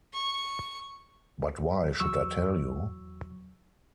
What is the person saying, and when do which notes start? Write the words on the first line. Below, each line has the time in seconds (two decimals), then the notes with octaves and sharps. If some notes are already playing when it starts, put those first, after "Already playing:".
But why should I tell you?
0.13 C#6
2.00 E2 F#3 C#6 E6